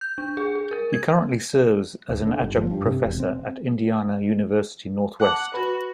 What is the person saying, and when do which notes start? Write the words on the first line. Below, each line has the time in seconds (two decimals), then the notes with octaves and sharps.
He currently serves as an adjunct professor at Indiana University-Northwest.
0.01 G6
0.18 D4
0.37 G#4
0.55 G#4
0.71 A#4
0.93 G#6
2.09 D2
2.27 D3
2.42 G1
2.57 F3
2.71 G2
2.86 C3
3.06 E1
3.20 C4
5.20 F#5 A5 D6 F#6
5.54 F#4 B4 B5